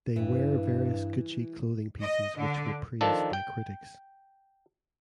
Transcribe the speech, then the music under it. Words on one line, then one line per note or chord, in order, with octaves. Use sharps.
They wear various Gucci clothing pieces which were praised by critics.
G2 E3 G3
D#5
D3
D#3 F3 D4 A4
G5